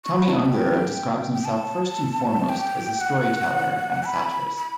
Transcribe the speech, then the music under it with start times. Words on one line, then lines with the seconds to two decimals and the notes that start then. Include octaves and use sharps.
Tomi Ungerer describes himself first and foremost as a story teller and satirist.
0.05 C#6
0.17 B5
0.29 A5
0.41 A5
0.45 G5
1.34 G5
1.45 A5
2.49 G5
3.01 F#5
4.04 B5
4.57 B5